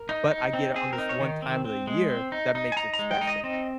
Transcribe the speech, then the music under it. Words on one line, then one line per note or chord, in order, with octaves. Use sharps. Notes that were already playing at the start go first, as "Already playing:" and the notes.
but I get it on this one time of the year, that makes it special.
Already playing: A#4
D#4
D#4
C4
C4 G#4
A#4
D#4
C#5
D#3
C4
C4
G#3
C4
D#4
D#4
G#5
D#4 A#5
A#5
G#3
G5
D#4
D#5
C4 D#5